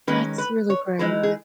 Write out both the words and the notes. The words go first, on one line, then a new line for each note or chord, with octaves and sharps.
That's really great.
D#3 G#3 C#4 B4
B4
C#5
E3 G#3 D#4 B4
G#4